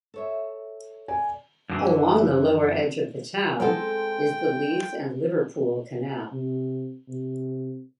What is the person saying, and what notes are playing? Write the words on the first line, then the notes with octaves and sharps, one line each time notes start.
Along the lower edge of the town is the Leeds and Liverpool Canal.
A4 C#5 E5
D5 G#5
F#2 D3 E3
F#3 G#3 B3 C4 A4 F#5 G5
C3
C3